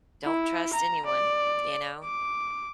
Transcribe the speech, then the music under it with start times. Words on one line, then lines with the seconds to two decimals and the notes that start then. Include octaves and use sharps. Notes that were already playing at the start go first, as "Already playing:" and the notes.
Don't trust anyone, you know.
0.24 E4
0.73 A#5
1.05 D5
2.04 D6